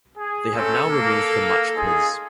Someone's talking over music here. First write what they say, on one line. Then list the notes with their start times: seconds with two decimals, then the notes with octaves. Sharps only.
They have now removed the Much Quiz.
0.18 G#4
0.55 A3 C4 C#4 A4
0.89 A#3
1.77 D#4 F4 G#4